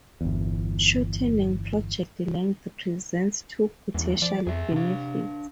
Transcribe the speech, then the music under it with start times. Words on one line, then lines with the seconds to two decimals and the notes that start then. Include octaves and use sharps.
Shortening project length presents two potential benefits.
0.21 G1 E2
3.94 E2 G#2 E3
4.22 F3 D5
4.47 F2 G#4 E5
4.72 C3 D4 F5